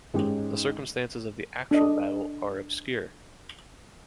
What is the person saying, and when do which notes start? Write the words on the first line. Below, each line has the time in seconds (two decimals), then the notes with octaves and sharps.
The circumstances of the actual battle are obscure.
0.14 G#2 G#3 C#4 D#4 G4
1.71 D4 D#5